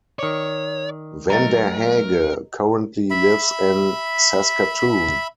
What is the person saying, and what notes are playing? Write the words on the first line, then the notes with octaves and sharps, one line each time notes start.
Vanderhaeghe currently lives in Saskatoon.
D#3 C#5 D5
F#3 A3 A#4 D#5 A#5
E5 B5